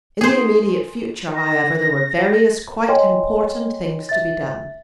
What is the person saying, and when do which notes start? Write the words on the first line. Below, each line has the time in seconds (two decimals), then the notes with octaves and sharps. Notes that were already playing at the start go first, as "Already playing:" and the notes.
In the immediate future, however, there were various quite important things to be done.
0.21 G#4 C5
1.36 A#6
2.88 C#5 D#5 G5 G#5 C6
4.09 E5 A6